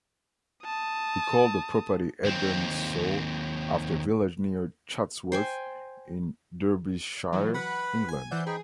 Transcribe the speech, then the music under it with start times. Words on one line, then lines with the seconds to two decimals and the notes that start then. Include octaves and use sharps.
He called the property Edensor, after a village near Chatsworth in Derbyshire, England.
0.65 A5 D#6
2.25 D#2 C4
5.32 C5 G5 G#5
7.33 E3 F#3
7.54 B4 F#5 B5
8.09 G#5
8.31 E3 C5 D5 E5 F#5 G6
8.47 D#4 G#4 G5 B5